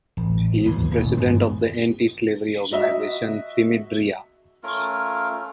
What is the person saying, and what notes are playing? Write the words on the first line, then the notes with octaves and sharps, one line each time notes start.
He is president of the anti-slavery organization Timidria.
A1
G#1 D#2 E3 A#3
D#1 A1 B2
G2 G#3 B3
F#4 D#5 E5
A3 C#4 F4 A#4